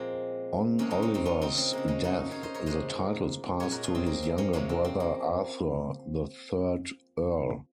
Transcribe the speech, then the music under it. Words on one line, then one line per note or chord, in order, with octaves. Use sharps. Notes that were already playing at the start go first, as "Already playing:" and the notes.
On Oliver's death the titles passed to his younger brother, Arthur, the third Earl.
Already playing: A#2 F3 G#3 A#3 C4
C#3 G#3 A#3 C#4
C4 D#4
A#3 C#4
C4 D#4
C#4 F4
C4 D#4
C4
C#3 G#3 A#3
A#3 C#4
D#4 F#4
C#5 F5
C5 D#5
A#4 C#5
A#2 G#3 C5 D#5
A#2 G#3 A#4 C#5
F#4 A#4
F4 G#4
C4
A#3
C4
A#3 C#4
C3 F3 G#3 A#3 C#4
C4
C4
A#3